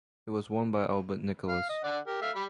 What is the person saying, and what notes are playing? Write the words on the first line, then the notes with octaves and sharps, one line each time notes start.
It was won by Albert Nicholas.
F5
D#5
D3 D5 F#5
G4 A#4
A3 E5 F5
G3 B5